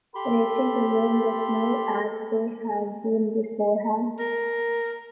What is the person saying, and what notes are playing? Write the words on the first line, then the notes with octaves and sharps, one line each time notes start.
Ratings remained dismal as they had been beforehand.
G4 A4 B5 C6
A#4